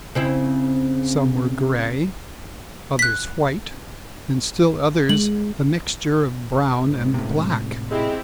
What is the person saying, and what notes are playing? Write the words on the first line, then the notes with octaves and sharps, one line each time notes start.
Some were gray, others white, and still others a mixture of brown and black.
C#3 C4 E4
F#6 B6
G#3 F#7
C#2 G#2
A2 C3
G#3 C4 E4 G4